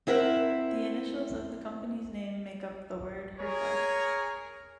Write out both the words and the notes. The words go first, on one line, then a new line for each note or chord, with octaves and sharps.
The initials of the company's name make up the word "Herpa".
C4 E4 A#4 E5 F#5
G#4 A#4 C#5